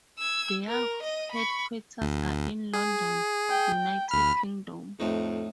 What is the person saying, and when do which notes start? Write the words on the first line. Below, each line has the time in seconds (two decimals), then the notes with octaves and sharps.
Their headquarters are in London, United Kingdom.
0.19 E6 G#6
0.68 A#4
1.03 D#5 D#7
1.32 B5 C#6
2.01 D2
2.74 G#4
3.50 G5
4.11 D2 B5 F6
5.00 F2 A2 A3 D#4